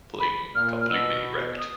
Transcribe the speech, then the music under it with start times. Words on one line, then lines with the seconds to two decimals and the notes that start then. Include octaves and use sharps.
Plane completely wrecked.
0.20 B5
0.55 A#2 F6
0.81 F6
0.89 B2 E6
1.59 D#6